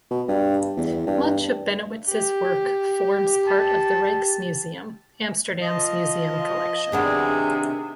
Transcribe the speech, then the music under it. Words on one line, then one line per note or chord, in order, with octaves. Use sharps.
Much of Bennewitz’s work forms part of the Rijksmuseum Amsterdam’s museum collection.
B2
G2
E2
G2
G4
A5
F3 D#5
C3 D#3 B3 D4 G#4